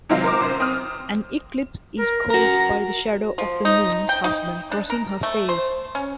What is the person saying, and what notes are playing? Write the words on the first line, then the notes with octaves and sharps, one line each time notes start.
An eclipse is caused by the shadow of the moon's husband crossing her face.
C3 D#3 F#3 G#3 C4 F4
A#4 C5 D6
F#2 C5
C4 D#6 F6
A#4
F#4 A#4 A#5
F3
D#4
G5
D#4
D4
A#4
A3
C5
C#4